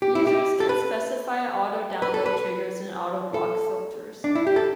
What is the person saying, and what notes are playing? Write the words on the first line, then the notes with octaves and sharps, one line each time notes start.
Users can specify auto-download triggers and auto-block filters.
G4
E4
G4
A4
B4
B4
A4
B4
A4
D4
E4
G4
A4